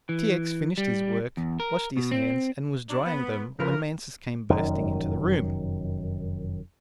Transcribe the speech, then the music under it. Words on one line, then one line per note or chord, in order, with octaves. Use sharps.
T. X. finished his work, washed his hands, and was drying them when Mansus came bursting into the room.
E3
G3
E2
A#4
B2
C4
F#3 D4
B3
A2 C#3 E3 F3 A#4 B4
F1 F#2 D#3